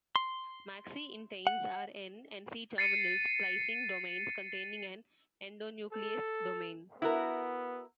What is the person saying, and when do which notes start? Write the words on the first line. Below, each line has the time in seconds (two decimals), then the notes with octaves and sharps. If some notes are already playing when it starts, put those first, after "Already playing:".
Maxi-inteins are N- and C-terminal splicing domains containing an endonuclease domain.
0.16 C6
1.47 F#5
2.78 A6 C7 C#7 D#7
5.92 A4
7.02 B3 E4 F#4 A#4